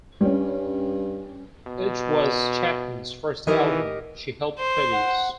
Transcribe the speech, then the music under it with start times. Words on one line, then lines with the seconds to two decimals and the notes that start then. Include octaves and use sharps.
It was Chapman's first album she helped produce.
0.21 G2 G3 C#4
1.67 B2
3.47 D#3 E3 G4 A#4 D#5
4.58 C5
4.93 F#5